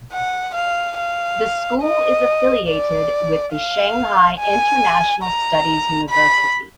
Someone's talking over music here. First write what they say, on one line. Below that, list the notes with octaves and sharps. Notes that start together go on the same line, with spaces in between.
The school is affiliated with the Shanghai International Studies University.
F#5
F5
F5
D#5
D5
F5
G#5
A#5
B5